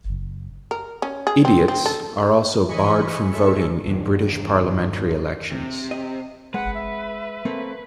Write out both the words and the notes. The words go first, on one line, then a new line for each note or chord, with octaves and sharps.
"Idiots" are also barred from voting in British parliamentary elections.
F#1
A#4
C#4
G#4
C4
C4
A4
E3 D#5 G#5 B5 C#6 C#7
G#3 C#4 A4 E5 C#7
E1 G2 D#3 D4
C3
D#5
G#3 B4 F#5
E5
A3 A#3 C4